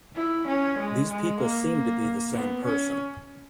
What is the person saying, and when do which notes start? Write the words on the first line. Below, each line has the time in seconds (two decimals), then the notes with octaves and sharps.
These people seem to be the same person.
0.15 E4
0.47 C#4
0.78 G#3
1.09 G#3
1.40 A#3
2.33 B3
2.64 C#4